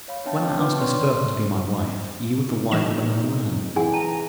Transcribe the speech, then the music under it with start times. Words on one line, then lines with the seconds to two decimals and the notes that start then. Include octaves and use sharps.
When I asked Miss Burton to be my wife you were the wife of another man.
0.08 C#5 F5 B5
0.25 B3 D4 C#5 E5 G5 A5
0.43 C4 G5 A5
0.57 B3 F4 B4 F6
0.78 C#5 D5 C6 C#6
2.47 D#4
2.71 G1 E3 D#5 E7
3.21 G#2
3.76 E3 C4 G#4 F#5 G#5
3.93 A5 A#5